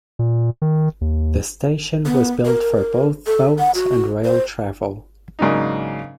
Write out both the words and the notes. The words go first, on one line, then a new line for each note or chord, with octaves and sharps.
The station was built for both boat and rail travel.
A#2
D#3
D#2
B3
A#4
A4
F#5
F#4
C5
G#2 C#3 F#3 A#3 D4 D#4